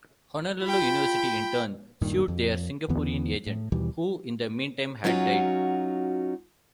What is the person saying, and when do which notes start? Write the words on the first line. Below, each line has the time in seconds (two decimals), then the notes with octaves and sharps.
Honolulu University in turn sued their Singaporean agent, who in the meantime had died.
0.63 F4 G5 B5
2.02 D#1 G2 A#2 D#3
2.28 F2
2.89 E2 D3 E3 B3
3.47 A2
3.72 D#2 B2 E3 G3
5.04 F#3 C#4 D#4 F4 F#4